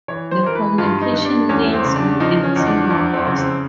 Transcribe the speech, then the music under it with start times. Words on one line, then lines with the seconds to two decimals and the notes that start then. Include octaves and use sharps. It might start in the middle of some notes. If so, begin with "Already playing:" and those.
The communication links with the team were lost.
0.08 E3 C#5
0.31 C5
0.43 E3 A#4
0.55 B4
0.78 G2 F4
1.01 D#4
1.14 G2
1.25 D4
1.49 E2 C#4
1.73 C4
1.85 C#3
1.96 D4
2.20 F3 D#4
2.44 C#4
2.56 E2 D#4
2.67 D4
2.90 F2 D4
3.14 C4
3.27 C#3
3.38 C4